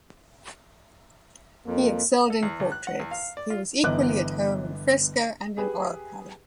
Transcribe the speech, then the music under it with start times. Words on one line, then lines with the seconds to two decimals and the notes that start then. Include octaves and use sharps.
He excelled in portraits; he was equally at home in fresco and in oil-color.
1.66 F2 A#3
2.30 A4
2.43 E2
2.60 C#2
2.72 F#6
2.87 F#5
3.00 E2
3.11 F5
3.37 D5
3.50 F4
3.83 G1 E3 B3 D#5 D6 F#6
5.57 G4 G#4 B4